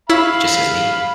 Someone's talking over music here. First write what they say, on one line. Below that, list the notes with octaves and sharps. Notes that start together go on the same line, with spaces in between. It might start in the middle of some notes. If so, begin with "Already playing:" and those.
It just says, "meat."
E4 C#5 E5 F5 B5